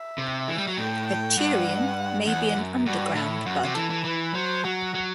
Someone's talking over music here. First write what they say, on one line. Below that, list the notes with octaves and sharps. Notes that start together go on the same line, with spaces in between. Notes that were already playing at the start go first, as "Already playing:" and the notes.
A turion may be an underground bud.
Already playing: E5
C3
E3
G3
F#3
A2 G5
G5
G2 F#5
E2 F#5
F#2
G2 F#4
A2 E4
F#2 F#4
C3
E3 A4
E3
E3 B4
F#3 C5
F#3 F#4
F#3